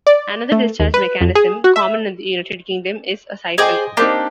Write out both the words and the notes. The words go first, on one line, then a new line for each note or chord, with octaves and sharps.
Another discharge mechanism, common in the United Kingdom, is a siphon.
D5
A3
D#2
B4
F2
G#4
F#4
E5
G#4 C5 D5 D#5 G5 G#5
A#3 C4 D4 D#4 G4